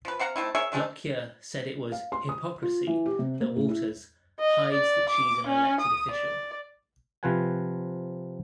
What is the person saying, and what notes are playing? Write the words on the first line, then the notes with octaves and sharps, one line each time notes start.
Lockyer said it was "hypocrisy" that Walters "hides that she's an elected official".
F3 B4
C4 F5 F#5 A#5
A3 C4 D#4 E4
G#4 A#4 C#5 E5
D#3 G#3 A3 C4
F5
C6
D#6
F4
E3
G4
C3
A#3
A2
E4
D#5
D5
D6
C#4
D#6
D5
C3 F3 F4 B4 F#5 G#5